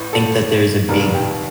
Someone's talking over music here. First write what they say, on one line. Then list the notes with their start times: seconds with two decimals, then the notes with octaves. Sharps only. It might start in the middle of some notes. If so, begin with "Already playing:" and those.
Think that there's a big
Already playing: A1 A2
0.13 A4 A5
0.89 F1 D#2 D#3 G3 A#3 A#4 A#5
1.14 G4 G5